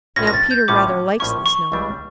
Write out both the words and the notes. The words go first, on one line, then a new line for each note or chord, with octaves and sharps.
Now Peter rather likes the snow.
A#1 A2 F3 C#4 A#6
A#6
A6
G6
A#1 A2 F3 C#4 D6
A#1 A2 F3 C#4 C#6
C#6
C#2 C#3 E3 G3 D4